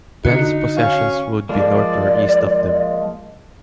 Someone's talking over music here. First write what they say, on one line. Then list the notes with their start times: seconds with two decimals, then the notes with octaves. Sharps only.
Penn's possessions would be north or east of them.
0.25 D3 D#4 F#4 C#7
0.77 C#4 F5 C#6
1.49 F3 G#3 A#3 D5